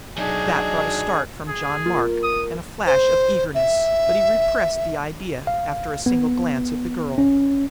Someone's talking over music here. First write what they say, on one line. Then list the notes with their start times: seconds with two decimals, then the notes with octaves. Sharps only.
That brought a start from John Mark and a flash of eagerness, but he repressed the idea, after a single glance at the girl.
0.18 F#3 D4 D#4 G#4
1.48 G#4
1.86 A#3 F4
2.23 D#6
2.86 C5
3.55 E5
5.47 F5
6.06 B3
7.18 C#4